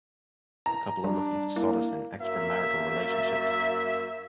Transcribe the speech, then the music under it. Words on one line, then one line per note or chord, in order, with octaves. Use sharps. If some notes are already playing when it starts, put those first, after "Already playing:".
The couple are looking for solace in extramarital relationships.
A#5
G3 D4
A#3 E4
F#2 A#3 E5